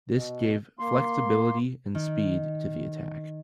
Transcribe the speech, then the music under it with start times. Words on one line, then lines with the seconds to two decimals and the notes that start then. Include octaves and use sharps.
This gave flexibility and speed to the attack.
0.13 B2
0.79 A#3 C6
1.95 D#3